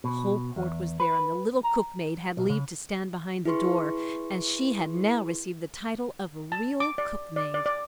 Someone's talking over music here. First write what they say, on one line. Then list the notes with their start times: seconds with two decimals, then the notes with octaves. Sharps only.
The whole court was there, and the little Cook-maid had leave to stand behind the door, as she had now received the title of a real cook-maid.
0.04 B2
0.56 E2
1.00 B4
1.63 A#5
2.37 B1
2.50 C#3
3.45 E4 G#4 B4 C6 C#6
6.52 A5
6.80 D6
6.98 D5
7.36 D5
7.54 D5
7.66 D5